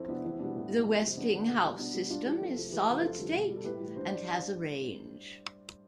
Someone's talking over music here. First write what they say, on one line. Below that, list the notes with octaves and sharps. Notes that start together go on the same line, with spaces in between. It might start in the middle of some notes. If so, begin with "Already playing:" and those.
The Westinghouse system is solid state and has a range.
Already playing: F2 C4 E4
C3 F3 B3 D4
E2 C4 E4
B2 G3 B3 D4
A2
G3
F2
C3 G3
E2 B3 D4
D3
A3
B2
G3
B2 B3 D4
G3
G2 D4 F4
E3 G3 E4 G4
F2 F4 A4
C3 F3 A3
E2 G4 B4
C3 E3 A3
B4
F2 F4 A4
D3 G3
B2
G3
A4
A2 G4 B4
E3 G3
G2 C5
D5